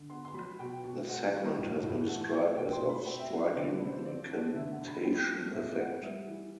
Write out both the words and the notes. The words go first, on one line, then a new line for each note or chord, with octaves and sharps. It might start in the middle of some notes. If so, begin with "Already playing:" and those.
The segment has been described as of "striking incantation effect".
Already playing: D3
B3 C6
C6
F#3 B5
B2 G5
B2
C4 F#5
G3
A2
A2
A3 F#5
F#3
B2 G5
C6
B2
B5
C4 G5
E5
F#3 F#5
E5
D3 D5
B4
D3
C5
C4 D5
A3
D3 E5
F#5
D3
B5
C4 G5
A3
A2 E5
B3 F#5
G3 E5
E3